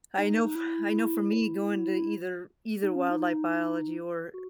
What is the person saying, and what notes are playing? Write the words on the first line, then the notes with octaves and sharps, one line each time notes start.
I know, I know for me going to either either Wildlife Biology or
D#4
D#4
E4
D#4
C#4
D#4
F#4